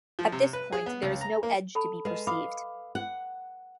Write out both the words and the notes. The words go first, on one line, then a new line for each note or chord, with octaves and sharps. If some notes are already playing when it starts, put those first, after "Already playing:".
At this point, there is no edge to be perceived.
F3
C3
B4
G#4
B3
C#2
A#5
A#3
A4 A5 B5
G#3 B4 D#5
F5 B5 D6 D#6
F#5